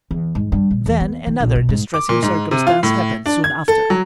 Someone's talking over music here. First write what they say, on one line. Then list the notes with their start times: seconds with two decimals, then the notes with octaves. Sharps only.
Then another distressing circumstance happened soon after.
0.11 E2
0.35 G#2
0.52 G2
0.71 A#2
0.86 E2
1.01 B3
1.27 D#3
1.40 A#1
1.56 B2
1.69 G#2
1.94 D6
2.09 A#2
2.23 G#2
2.51 C3
2.67 F4
2.83 A2
3.26 D4
3.44 G#6
3.68 A4
3.90 F#3